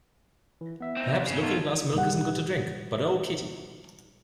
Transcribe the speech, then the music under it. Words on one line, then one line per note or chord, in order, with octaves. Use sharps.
Perhaps Looking-glass milk isn’t good to drink—But oh, Kitty!
E3
B3 E5
C4 D#4
F2
G2 C#3 C#4 C7
B3 C#4 D#4 F4 A4
A#2 G3 F#5